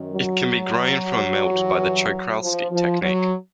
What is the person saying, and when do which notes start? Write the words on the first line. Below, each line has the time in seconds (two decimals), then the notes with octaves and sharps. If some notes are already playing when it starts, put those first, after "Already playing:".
It can be grown from a melt by the Czochralski technique.
Already playing: F#2 D#3
0.13 F#3
1.50 G2 E3
2.41 F3
2.71 F3
3.02 F#3